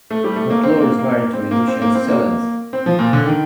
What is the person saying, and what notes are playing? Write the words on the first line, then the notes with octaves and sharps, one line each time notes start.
McClure is married to musician Cylenz.
A3
G3
A3
A#3
C4
A#3
A#3
A#3
C4
A#3
C4
A#3
C4
A#3
C4
F3
A#2
D3
D#3